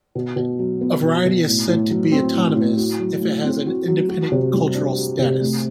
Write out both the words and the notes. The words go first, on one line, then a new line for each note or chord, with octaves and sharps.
A variety is said to be autonomous if it has an independent cultural status.
B2
B2
F#3
B3
B2
B2
A2
A2
F#3
C4
A2
A2
F#4
F#3
A3
C4
F#4
F#3
F#4
C3
G3
D4
F#4
C3
A3